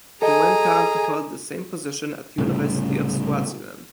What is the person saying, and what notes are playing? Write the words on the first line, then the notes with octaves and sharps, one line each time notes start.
He went on to hold the same position at University of Swaziland.
G#4 A4 D#5 G#5 A#5
C2 A2 C#3